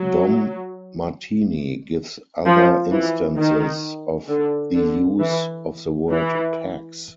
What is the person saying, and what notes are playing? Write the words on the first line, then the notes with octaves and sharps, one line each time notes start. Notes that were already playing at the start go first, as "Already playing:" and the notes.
Dom Martene gives other instances of the use of the word "Pax".
Already playing: F#3
F3
E3
D#3
D3
D3
E3
E3